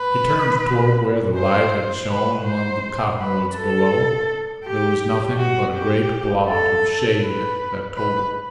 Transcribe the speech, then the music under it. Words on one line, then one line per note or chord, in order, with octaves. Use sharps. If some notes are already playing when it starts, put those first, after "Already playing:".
He turned toward where the light had shone among the cottonwoods below; there was nothing but a great blot of shade that told him nothing.
Already playing: B4
C5
B4
C5
B4
A4
G4
F#4
G4
A4
B4
B4